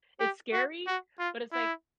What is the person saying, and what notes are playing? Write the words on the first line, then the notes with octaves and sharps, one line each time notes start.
it's scary, but it's, like,
G4
F#4
F#4
F4
E4